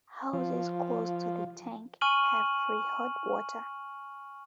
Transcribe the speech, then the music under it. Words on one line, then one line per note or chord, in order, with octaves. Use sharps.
Houses close to the tank, have free hot water.
F3
G#5 C#6 F6 D#7 F#7